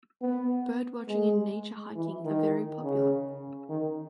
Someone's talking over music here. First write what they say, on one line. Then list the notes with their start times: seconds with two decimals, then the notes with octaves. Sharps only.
Bird watching and nature hiking are very popular.
0.22 B3
1.09 G#3
1.96 E3
2.25 D#3
2.83 C#3
3.69 D#3